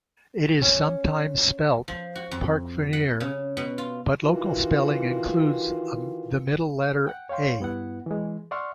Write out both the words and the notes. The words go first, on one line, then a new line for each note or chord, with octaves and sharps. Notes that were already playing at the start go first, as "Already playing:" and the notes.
It is sometimes spelt Parkvonear, but local spelling includes the middle letter 'a'.
C#4
F3
F#4
F2
F#5
C#3
B2
F4
D#3 E3 F4 F#4
F#5 G5
C#5 F5 G5 C6
G2 B3 E4 F#5
E3 G#3
D5 E5 F#5 C6 C#6 F6